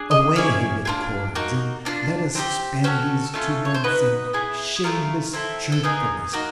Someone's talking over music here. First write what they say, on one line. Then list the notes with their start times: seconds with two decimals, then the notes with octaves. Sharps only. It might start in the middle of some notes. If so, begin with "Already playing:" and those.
Away with cords and let us spend these two months in shameless truthfulness!
Already playing: D4 G#4
0.11 D#5
0.36 C#4 E4 G#4 D5
0.85 D4 F4 G#4
1.35 A#3 D#4 F#4
1.85 A#3 D4 F4
2.35 C4 D#4 G4
2.84 C#4 F#4 A4 C5
3.34 A3 C#4 F4 A4
3.65 C#5
3.74 C5
3.84 B3 D#4 F#4 B4
4.33 B3 E4 G#4
4.84 A3 D4 F4 A#4
5.33 C4 E4 A4
5.72 A4
5.83 B3 D#4 G#4 A#4
6.33 A#3 D#4 F#4